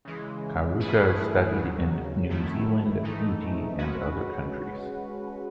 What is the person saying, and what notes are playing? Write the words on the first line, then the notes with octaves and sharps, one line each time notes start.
Kauraka studied in New Zealand, Fiji and other countries.
C#3 E3 G#3
E3 A3 E4 G#4 B4
D#2 C#3 F#3
F#2 D#3 A3 E4
G#2 E3 A3 D#4
G#3 C#4 F#4 B4